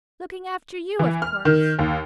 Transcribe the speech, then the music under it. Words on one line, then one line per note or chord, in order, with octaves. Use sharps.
"Looking after you, of course."
E3
F6
D#3
D#2